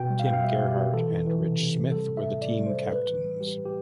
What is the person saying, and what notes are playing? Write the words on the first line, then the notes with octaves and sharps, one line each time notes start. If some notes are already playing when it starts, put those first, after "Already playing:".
Tim Gerhart and Rich Smith were the team captains.
Already playing: B2 G5
G3
F5
B2 G5
F5
G3 E5
B2
G4
B2
E3 A4
E3
E3
C3
C3
C3
G3 A4
A2
E5
A2
A2 D5
G3
C5
G3
A4
A2 B4
E3
G3
G3 G4
A2
G4